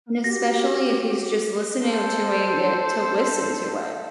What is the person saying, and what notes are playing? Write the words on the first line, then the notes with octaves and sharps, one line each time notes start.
and especially if he's just listening doing it to listen to it.
F#4 G4 A#6
A4 C5